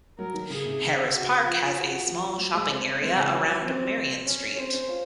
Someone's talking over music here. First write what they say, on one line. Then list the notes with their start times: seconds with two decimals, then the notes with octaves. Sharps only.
Harris Park has a small shopping area around Marion Street.
0.19 F#3 A#4
0.34 D#3
0.50 C#3 G#4
0.65 C3
0.82 C#3
1.13 F#4
1.44 F3 F4
1.75 F#4
2.07 F3
2.38 F#3
2.54 G#3
2.70 C4
3.01 G#3 C4
3.17 C#3
3.32 F#3 C#4
3.63 C4
4.26 C#4
4.57 C4 C5
4.74 C#4
4.89 F4